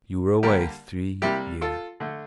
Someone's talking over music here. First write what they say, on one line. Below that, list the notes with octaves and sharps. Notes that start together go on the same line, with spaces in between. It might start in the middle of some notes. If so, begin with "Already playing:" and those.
You were away three years.
D3 G3 A#3 G4 A#4
C3 G3 A#3 E4 G4
F4 A4
D3 A3